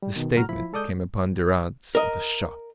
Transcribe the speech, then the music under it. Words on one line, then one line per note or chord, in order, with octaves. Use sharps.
The statement came upon Durrance with a shock.
G3
B2 D#3
C2 F#2 A2 F#4 A#5 F6
F3 E4 B5
G#3 A4 D5 D#6 G6
A#4 D#5